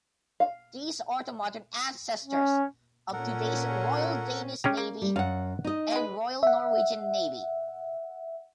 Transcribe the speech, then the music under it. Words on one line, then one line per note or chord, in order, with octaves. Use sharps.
These are the modern ancestors of today's Royal Danish Navy and Royal Norwegian Navy.
F5
C#4
A#2 C#4 A4 A#4 F#5
C#4 G4 G#4 A#5
A#3
G3
F#2 F5 F#5
D#4 D#5
G#3 B4
E5 F#5